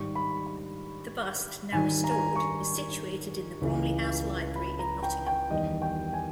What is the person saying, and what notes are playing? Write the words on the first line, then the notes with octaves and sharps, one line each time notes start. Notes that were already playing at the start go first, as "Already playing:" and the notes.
The bust, now restored, is situated in the Bromley House Library in Nottingham.
Already playing: G#2 D#3 G3 C#6
B5
B5
G#2 D#3 G3 G#5
A#5
G#5
A#5
C#6
C#2 C#3 E3
B5
A#5
G5
G5
E2 D#3 G3 D#5
G5
G#5